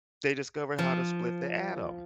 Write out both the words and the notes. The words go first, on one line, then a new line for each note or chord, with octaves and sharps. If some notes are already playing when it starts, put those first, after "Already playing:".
they discovered how to split the atom
F3